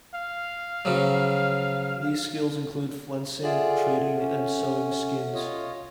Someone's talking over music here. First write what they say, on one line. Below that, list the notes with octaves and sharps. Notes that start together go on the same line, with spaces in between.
These skills include flensing, treating and sewing skins.
F5
C#3 F3 F#3
F4 G#4 A4 D5 E5 F#5
C#4
F4 C#5 D#5